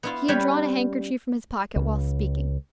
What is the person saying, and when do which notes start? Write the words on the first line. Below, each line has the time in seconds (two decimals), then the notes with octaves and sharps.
He had drawn a handkerchief from his pocket while speaking.
0.03 B3 E4 F4
0.28 G3 C#4 B4 C#5 G#5
1.76 C#2